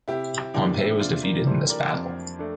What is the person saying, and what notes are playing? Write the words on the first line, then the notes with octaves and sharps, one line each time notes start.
Pompey was defeated in this battle.
C3 E4 G4
E3 G3 A#3 D4
C4 E4
C3 D4 F4
A#4 D5
E3 G3 A4 C5
A#4 D5
F2
A3 D4